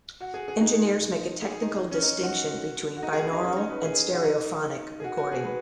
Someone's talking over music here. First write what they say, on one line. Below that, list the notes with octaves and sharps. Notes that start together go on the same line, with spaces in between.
Engineers make a technical distinction between "binaural" and "stereophonic" recording.
F#4
G#4
G#4
D#4
G#4
D#4
C#4
D#4
F#4
F#4
D#4
G#4
B4
D#4
C#4
D#4
B4
G#4
F#4
D#4
G#4
F#4
F#4
G#4
B4